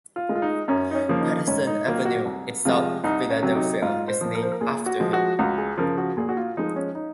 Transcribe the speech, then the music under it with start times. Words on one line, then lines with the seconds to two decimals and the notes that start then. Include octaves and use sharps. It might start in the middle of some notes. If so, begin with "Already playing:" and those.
Pattison Avenue in South Philadelphia is named after him.
0.16 F4
0.29 G#3
0.35 F4
0.42 D#4
0.68 F#2 C#4
0.91 D#4
0.95 C#4
1.08 C#3 F3 A#3
1.21 D#4
1.47 G#2 C#4
1.67 D#4
1.86 D#3 F#3 A#3 F4
2.05 F#4
2.25 C2
2.65 C3 F3 G#3 F4
3.04 C2 D#4
3.30 C#4
3.43 C3 F#3
3.55 D#4
3.82 G#2 F4
4.08 C5
4.21 F3 A#3
4.35 A#4
4.42 C5
4.52 A#4
4.61 A#2 G#4
4.86 F#4
5.00 F3 G#3
5.13 F#4
5.39 C#2 F#4
5.58 G#4
5.78 C#3 F3 A#4
5.98 F#4
6.17 A#2 G#4
6.29 F#4
6.37 F4
6.57 F3 G#3 D#4
6.76 C#4
6.95 D#4